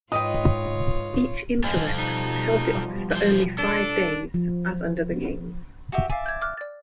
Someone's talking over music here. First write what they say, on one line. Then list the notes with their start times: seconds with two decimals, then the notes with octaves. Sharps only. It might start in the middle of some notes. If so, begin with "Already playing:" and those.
Each "interrex" held the office for only five days, as under the kings.
0.12 G#2 D#4 F4 B4 C#5 G5 D#6
1.64 B2 F3 G3 G#3 A4 C5 F5
1.98 D#4
3.11 E3 C5
3.58 D4 A4
4.34 F3
5.92 F#4 G4 E5
6.10 D5 E5 F5 G#5
6.26 G6 G#6
6.41 D6 F6 F#6
6.57 D5 A6